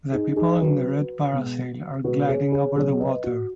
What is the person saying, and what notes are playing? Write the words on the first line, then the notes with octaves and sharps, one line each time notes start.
The people in the red parasail are gliding over the water.
D#4 G#4
D#4 G#4
C#3 F#3 C#4 F#4 B4
B2 G#3 B3
B2 G#3 B3 F#4 B4
G#4 C#5
G#4 C#5
B2 F#3 C#4 G#4 C#5
B4 D#5
F#4